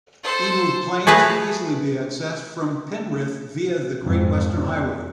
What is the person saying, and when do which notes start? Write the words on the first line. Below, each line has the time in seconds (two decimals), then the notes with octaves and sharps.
Emu Plains can easily be accessed from Penrith via the Great Western Highway.
0.23 A4 C5
1.07 A3 G#4 B4 A5 A#5
4.03 F2 G#2
4.50 E2